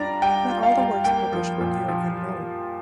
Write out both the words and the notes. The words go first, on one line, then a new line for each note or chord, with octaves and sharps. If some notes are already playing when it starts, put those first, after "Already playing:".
Not all the works published were new and unknown.
Already playing: G3 D4 F4 D5 A#5
G3 G5
F4
F5
G3
A#3 G5
F3
A#2
F3